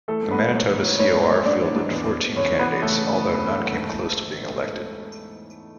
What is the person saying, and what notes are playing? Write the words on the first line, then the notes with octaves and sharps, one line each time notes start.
The Manitoba CoR fielded fourteen candidates, although none came close to being elected.
E3 A3 A4
G#2
B3 B4
G#2
G#2 C#4 C#5
E3
E3
G#2 C#4 C#5
G#2
C#4 C#5
G#2
G#2 D4 D5
E3
G#2
E2
E2
E2
E2 C#4 C#5
E3
B3 B4
E2
C#3 A3 A4
C#3
E3
E2
E2
E2
G#2
E3